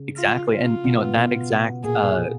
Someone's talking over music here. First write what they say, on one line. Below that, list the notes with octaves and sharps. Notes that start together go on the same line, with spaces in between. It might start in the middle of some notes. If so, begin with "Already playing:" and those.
Exactly and, you know, that exact, uh,
Already playing: C#3
F4
F4
B2 B3
B2 B3
A#2 A#3 G#4